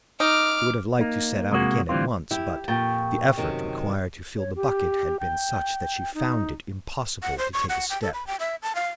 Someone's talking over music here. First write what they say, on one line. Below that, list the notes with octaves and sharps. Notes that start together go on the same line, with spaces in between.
She would have liked to set out again at once, but the effort required to fill the bucket had been such that she found it impossible to take a step.
D#4 D6 F6
A#3 D#4
C3 G#3 A#3 F#4
A2 D3 E3 G3 C4 F4
E4 G4
F2 A#2 G5 C#6 A6
F#2 C3 D#3
C#5
G4
G5
D#4
F#5
C5
C#6
F#5
G5
A4
B5
G5
E5
A5
F5